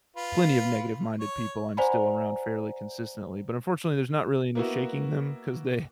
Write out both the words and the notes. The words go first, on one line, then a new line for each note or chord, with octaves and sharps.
plenty of negative-minded people I’m still around fairly consistently, but unfortunately there’s not really any shaking them cause they
F4 B4
C#5
C5 D5 F#5 G#5 A#5 B5
A#3 B3 E4 F#4